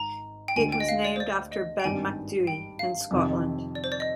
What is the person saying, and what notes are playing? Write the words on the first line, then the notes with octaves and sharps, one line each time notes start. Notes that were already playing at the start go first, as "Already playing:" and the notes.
It was named after Ben Macdhui in Scotland.
Already playing: G#1 G#2 A#5
G5
D2 D3 G#3 G#5
G5
D#5
F5
D5
C5
D5
D#5
G5
G#1 G2 D#3 G3 G#5
G5
F5
F2 C3 D#3
D5
C5
D5
D#5